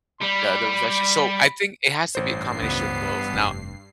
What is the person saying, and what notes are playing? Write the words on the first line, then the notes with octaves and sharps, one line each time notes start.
the the reflection so, I think it has to be a combination of both; now,
G3 B5
A1 G2 C5 C7
C#2 B3
F1